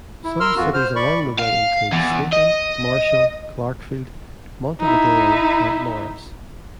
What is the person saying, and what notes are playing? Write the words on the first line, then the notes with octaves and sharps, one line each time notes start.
Some cities along the way include Slayton, Marshall, Clarkfield, Montevideo, and Morris.
E4
A#4 C6 E6 F6
F2 F4 F#4
C5 F6
D5 B5 C#6
A2
F5
E2
D#5
D#4 E4